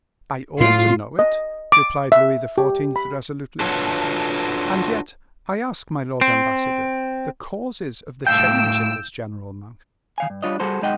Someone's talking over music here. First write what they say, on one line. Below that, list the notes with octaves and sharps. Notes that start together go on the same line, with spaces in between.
"I ought to know it," replied Louis XIV., resolutely; "and yet I ask my lord ambassador, the causes of the change in this General Monk?"
A2 F4
D#5
D6
E5
G4
B5
D4 F4 F#4 A4 B4 C#5
C4
A2 F5 G5 E6 G6 D7
D#3 F5 G#5
G2
G3 D4 F4 C#5 D#5
G3 F#4 G#4 A4 C5
B1 G#3 D#4 D#5 F#5 G5